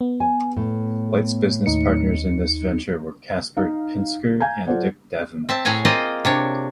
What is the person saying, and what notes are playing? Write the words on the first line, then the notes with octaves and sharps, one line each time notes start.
Light's business partners in this venture were Casper Pinsker and Dick Davemos.
B3
G#5
A2
D#2 D#4 C#7
D#4 F5
F5 G#5 A#5 G6 G#6
F#3 F4 A4 C5 D5 F#5
C4 E5 A5
A2 G#4 C#5 G#5 A#5
A#3 C4 F4 D#5 F5
C3 D4 C#5